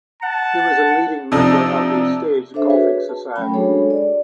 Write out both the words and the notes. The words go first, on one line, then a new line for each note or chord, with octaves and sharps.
He was a leading member of The Stage Golfing Society.
F#5 A5
C3 F3 D4 D#4
D4 A4 C5 E5
F#4 G#4 B4 C#5
A5
F#3 A3 C#4 G5 B5
G#3 D4 F#4 G#4 A4 C#5
D5